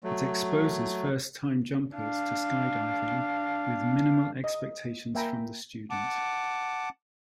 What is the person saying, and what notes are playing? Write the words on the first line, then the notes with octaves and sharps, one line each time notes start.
It exposes first-time jumpers to skydiving with minimal expectations from the student.
F#3 A3
D4 F5
D#5
A#3 E5 G5 G#5 A#5 B5
F#5 A5 D6